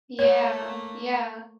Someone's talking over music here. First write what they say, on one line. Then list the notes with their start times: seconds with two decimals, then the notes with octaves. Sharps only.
Yeah. Yeah.
0.19 A3 A#3 C#5